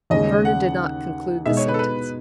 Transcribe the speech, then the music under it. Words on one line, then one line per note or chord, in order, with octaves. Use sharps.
Vernon did not conclude the sentence.
D#2 C#3 G#3 C#4 G#4 D#5
F#5
B2 G#3 D#4 E5
C#5
B4
A4
B4